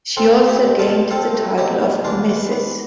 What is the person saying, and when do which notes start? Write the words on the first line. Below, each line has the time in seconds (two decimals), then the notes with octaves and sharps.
She also gained the title of Mrs.
0.17 C4 F4 A4
0.41 A3
0.48 E4 G4
0.65 B2
0.79 F4 A4
0.88 B2
1.10 C4 F4 A4
1.34 A3
1.58 B2 E4 G4
1.81 B2
2.04 E3 D4 F4
2.29 B3
2.52 B3